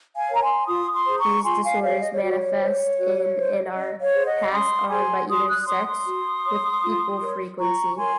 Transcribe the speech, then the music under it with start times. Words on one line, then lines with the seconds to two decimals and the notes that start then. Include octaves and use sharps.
These disorders manifest in and are passed on by either sex with equal frequency.
0.16 F5 G#5
0.28 A#4 C#5
0.34 A#5
0.41 G#5 C6
0.66 F4 C6 D#6
0.92 C6 D#6
1.05 G#4 C5
1.18 A#5 C#6
1.43 F4 G#5 C6
1.63 F5 G#5
1.82 G#4 C5 C#5 F5
2.01 D#5
2.11 C#5
2.21 F#4
2.30 C#5
2.59 C5
2.97 F#4
3.37 C5
3.74 C#4 D#5
4.00 C#5 F5
4.13 G#4 C5
4.25 D#5 F#5
4.51 C#4 C6 D#6
4.89 G#4 C5 G#5 C6
5.28 F#4 C6 D#6
5.47 D#6 F#6
5.66 C#5 C6 D#6
5.85 C6 D#6
6.05 F#4
6.43 C#5
6.82 F4
7.20 A#4 C#5
7.58 F4 A#5 C#6
7.97 A#4 C#5 G#5 C6